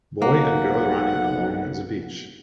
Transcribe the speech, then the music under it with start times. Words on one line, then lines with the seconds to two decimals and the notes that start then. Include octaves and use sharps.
Boy and girl running along the beach.
0.22 B1 A#3 F#5